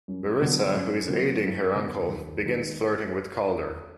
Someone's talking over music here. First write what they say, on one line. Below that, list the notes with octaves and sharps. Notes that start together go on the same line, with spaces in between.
Marisa, who is aiding her uncle, begins flirting with Calder.
F#2
D3 F#3 B3
F#2
D3 F#3 B3
F#2
D3 F#3 B3
D#2
D#3 G#3